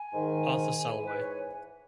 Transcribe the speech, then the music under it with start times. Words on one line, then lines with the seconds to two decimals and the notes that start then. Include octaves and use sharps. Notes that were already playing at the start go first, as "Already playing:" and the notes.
Arthur Salwey.
Already playing: G#5
0.12 G#2 D#3
0.85 G#2 E3
1.05 B4
1.17 C#5